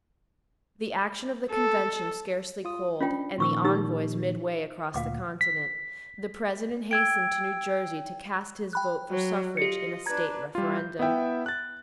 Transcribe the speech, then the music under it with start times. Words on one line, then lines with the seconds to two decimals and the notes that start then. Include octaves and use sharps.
The action of the convention scarcely cold, and the envoys mid- way across the continent, the President hastened to New Jersey to cast his vote for suffrage in a state referendum.
1.51 A4
2.65 F4 D#6
3.00 C#4 D4 F4 G5 B5
3.38 A#2 D#3 F3 C6 C#6 E6
3.64 D#4 G4 E6
4.94 D2 A#2 F5 F#5 D6
5.41 B6
6.91 G5 E6 G#6 D7
8.73 G5 B5 F#6
9.11 F#3
9.57 F4 G4 D#5 C#7
10.06 D4 B4 A#5 G#6
10.55 G3 F4
10.77 G6
10.99 B3 E4 E5 G5
11.46 F#6 A6